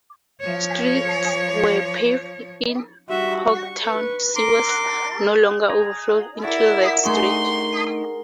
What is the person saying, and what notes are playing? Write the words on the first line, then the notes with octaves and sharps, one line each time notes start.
Streets were paved in hog town, sewers no longer overflowed into the dirt streets.
F3 C#5
G3 F#4 E5
C#6
B4
A#4 C6 D6
G#4 A#5
E4 A#4 D5 F#5
A3 D4 D#4 G#4 A#4 C6 C#6